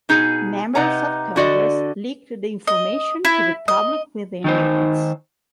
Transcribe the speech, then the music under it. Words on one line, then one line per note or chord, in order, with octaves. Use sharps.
Members of Congress leaked the information to the public within minutes.
B2 D#4 G#4 G#5
C3 D#4 B4 F#5 A#5
D3 F#4 D5 D#5
D#5
E4
D#5
D#3 D#4 C5